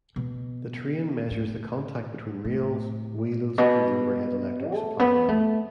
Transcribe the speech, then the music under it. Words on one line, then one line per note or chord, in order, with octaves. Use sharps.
The train measures the contact between rails, wheels and the overhead electric supply line.
B2
A2
A2
B2
A3
B3
A3